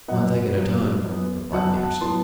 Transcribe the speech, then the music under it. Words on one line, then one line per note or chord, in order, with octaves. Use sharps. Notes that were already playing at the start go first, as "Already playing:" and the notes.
"One thing at a time," replied Peterson.
F#2 F#3 B3 D#5 F#5
F#2 F#3 B3
F#2 F#3 B3
F#2 F#3 B3 F#5 A5
F#5 A5
A2 F#3 B3 A5 C6